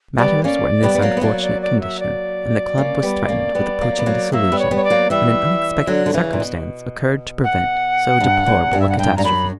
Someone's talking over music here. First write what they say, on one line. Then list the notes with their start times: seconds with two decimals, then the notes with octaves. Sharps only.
Matters were in this unfortunate condition, and the club was threatened with approaching dissolution, when an unexpected circumstance occurred to prevent so deplorable a catastrophe.
0.18 G3 B3 D5
0.44 A#3 C#4 D5
0.83 G3 B3
0.95 B3
1.02 F#3 A#3
1.17 B3
1.21 F#3 A#3 D5
1.41 D5
1.61 D5
1.80 E5
1.99 D5
2.78 A#3 C#4
3.03 G3 B3
3.29 A#3 C#4
3.55 G3 B3
3.81 F#3 A#3
3.99 B3
4.06 F#3 A#3
4.32 F#3 A#3 E5
4.52 G3 B3
4.59 C#5
4.71 G3 B3 C#5
4.84 D5
4.90 F#3 A#3
5.10 E3 G3 E5
5.87 D3 F#3
6.06 D3
6.13 C#3 E3
6.33 A#2
6.40 B2
7.44 F#5
8.20 G2
8.46 E2
8.73 G2
8.80 E5
8.90 F#5
8.98 G2 G5
9.17 G2 A#5
9.24 F#2 B5